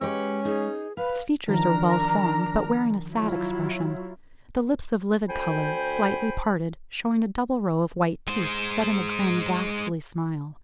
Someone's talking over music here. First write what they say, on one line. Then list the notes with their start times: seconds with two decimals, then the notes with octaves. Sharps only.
Its features are well formed, but wearing a sad expression; the lips of livid colour, slightly parted, showing a double row of white teeth, set in a grim ghastly smile.
0.01 G#3 C#4 G4 B4 C#5
0.45 D#4 G#4
0.97 B4 F5 B5
1.48 D#3 F3 D4 A#4 A#5
3.13 F#3 E4 F4
5.28 D2 C5 G5 G#5 B5
8.28 G#3 C5